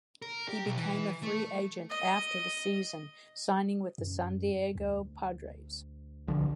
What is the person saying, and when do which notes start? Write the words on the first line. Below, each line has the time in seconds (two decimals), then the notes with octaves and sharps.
He became a free agent after the season, signing with the San Diego Padres.
0.22 A#4
0.48 G4
0.66 B1
0.78 E3
1.23 A3
1.90 D#5
3.98 F#2
4.75 D2
6.28 B1 D3 F3